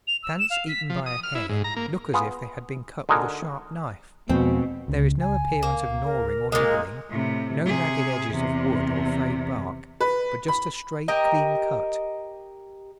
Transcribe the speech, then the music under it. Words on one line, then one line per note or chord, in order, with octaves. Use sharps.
Plants eaten by a hare look as if they had been cut with a sharp knife; there is no appearance of gnawing or nibbling, no ragged edges of wood or frayed bark, but just a straight clean cut.
F7
E6
E7
F5
B6
F3
D#6
F6
E4
G#2
A#5
A#3
B3 F4 G#4
D3 D#4 F#4 G#4 A#4
E2 B2 F3 G#3 C4
C#2 C#3
G#5
A#3
A#4
A#2 G#3 A#4
A2 C3
C3 G#4
E2 C3
B4
B5
G4 A#4 D#5